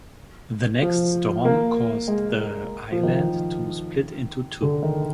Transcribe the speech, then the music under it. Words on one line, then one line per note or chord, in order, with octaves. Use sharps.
The next storm caused the island to split into two.
F3
A#3
G#3
F3
D#3
D3
D#3